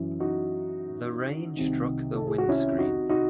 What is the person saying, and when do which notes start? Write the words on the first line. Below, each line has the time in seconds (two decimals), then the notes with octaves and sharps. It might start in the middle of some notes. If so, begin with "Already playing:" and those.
The rain struck the windscreen.
Already playing: F#2 E3
0.20 D#4 F#4
1.57 C2 C3 D#3
2.16 A4
2.27 G#4
2.38 F#4
2.49 C#4 E4
2.79 D#4 F#4
3.09 D#4 F#4